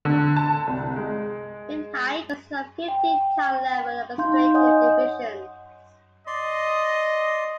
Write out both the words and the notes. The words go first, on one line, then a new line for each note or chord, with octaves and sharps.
Binhai consists of fifteen town-level administrative divisions.
D3
A5
C2
G#3
G5
D#4 F5 C6 G6
C#5 D#5 F#5 G#5 D#6 G6
D5 D#5 C6